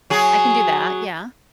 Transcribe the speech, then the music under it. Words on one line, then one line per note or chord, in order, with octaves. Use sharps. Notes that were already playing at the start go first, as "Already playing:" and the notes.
I can do that, yeah.
F#3 G#4